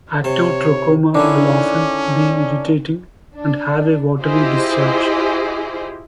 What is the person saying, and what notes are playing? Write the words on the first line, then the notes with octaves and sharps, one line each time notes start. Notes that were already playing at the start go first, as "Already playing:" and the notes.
Active trachoma will often be irritating and have a watery discharge.
C3 C#5 A5
D3 D#3 C#4 D4 E4
D4
E4 F4 G4 G#4 C5 D#5